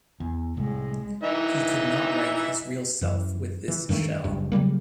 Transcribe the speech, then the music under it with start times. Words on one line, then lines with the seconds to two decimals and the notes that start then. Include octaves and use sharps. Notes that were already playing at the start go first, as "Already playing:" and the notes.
He could not write his real self with this shell.
0.20 E2
0.57 C2 A2 G#3
1.23 E3 D#4 E5
3.01 F#2 E3
3.68 E3
3.89 G2 D#3 G#3 A3
4.24 F#1 C#2 G2
4.52 C#3 F#3 G3 A#3